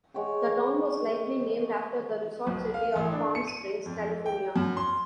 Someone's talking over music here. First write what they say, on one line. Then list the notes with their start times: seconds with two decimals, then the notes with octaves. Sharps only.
The town was likely named after the resort city of Palm Springs, California.
0.14 G#3 C#5 F#5 G5
2.47 B1
2.74 F5
2.96 A1
3.12 D4
3.35 C#7
3.47 D#7
3.86 F2
4.26 G5
4.56 F#2
4.77 C6